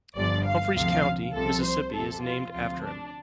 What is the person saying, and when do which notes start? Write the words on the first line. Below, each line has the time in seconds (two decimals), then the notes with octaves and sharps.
Humphreys County, Mississippi, is named after him.
0.15 G1 G2 F3 D5
0.45 F5
0.75 D2 C3 F3 F5
1.34 C2 C3 F3 A4
1.64 C5
1.94 F2 C3 F3 A4
2.23 F4
2.53 D2 C3 F3 F4
2.83 D4